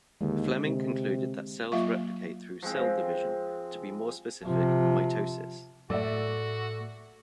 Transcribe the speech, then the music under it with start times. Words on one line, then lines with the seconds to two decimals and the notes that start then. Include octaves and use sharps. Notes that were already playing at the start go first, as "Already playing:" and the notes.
Flemming concluded that cells replicate through cell division, to be more specific mitosis.
0.21 D#2 D3 G#3
0.64 C3
1.72 F#3 A#3 F4 E5 F5 C#6
2.63 F3 G#3 C4
4.45 C3 F3
5.90 A2 A3 F#4 D5 E5 E6